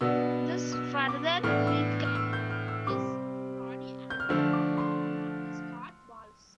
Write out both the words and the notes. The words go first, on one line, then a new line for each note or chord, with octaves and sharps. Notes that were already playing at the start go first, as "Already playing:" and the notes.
This further weakened his body and affected one of his heart valves.
B2 B3 D4 E6
E6
D6
A2 E3 B3 D4 F6
E6
F6
E6
G6
F6
E6
C3 G3 C4 D6
G6
F6
D3 F3 A3 D4 E6
D6
C6